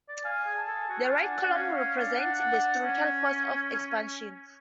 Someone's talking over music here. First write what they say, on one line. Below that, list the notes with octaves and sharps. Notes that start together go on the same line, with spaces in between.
The Right column represents the spiritual force of expansion.
D5
F5 G#5
G#4
A5
A4
F#4 G#5
F4
D4 F#5
D4
C#4 F5
C#4
D4
D4 F#5
D4
D4
C#4